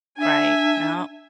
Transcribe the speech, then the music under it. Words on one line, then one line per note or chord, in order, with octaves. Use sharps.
Right, yep.
D4 E5 G#5